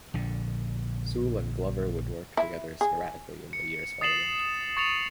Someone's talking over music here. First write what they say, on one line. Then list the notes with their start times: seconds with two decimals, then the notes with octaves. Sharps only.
Soule and Glover would work together sporadically in the years following.
0.14 A#1 D3
2.37 E4
2.81 G#4
3.53 C#7
4.01 D#6 A6 C7 E7 F#7
4.77 C#6 A6 C#7 F7